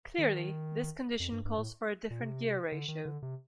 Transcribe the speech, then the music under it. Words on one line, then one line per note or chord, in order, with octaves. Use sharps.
Clearly this condition calls for a different gear ratio.
D#3
F2
G2
G2
A2
A#2
C3
D3
D#3
D3
C3